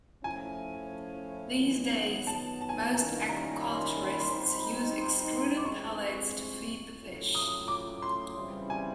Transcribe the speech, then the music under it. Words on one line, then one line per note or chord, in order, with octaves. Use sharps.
These days, most aquaculturists use extruded pellets to feed the fish.
F3 A3 C#4 E4 G#5
D#3 F#3 B3
A5
A5
G#5
A5
D#3 G3 A#3 C#4 E4 A#5
A#5
B5
C6
B5
C6
B5
C6
G3 C4 D#4 B5
C6
B5
C6
C6
D6
G2 E3 G#3 C4 C#6
A2 F#3 A3 C#4 F4
D#6
D6
C6
C#3 E3 G3 C4 E4
G#5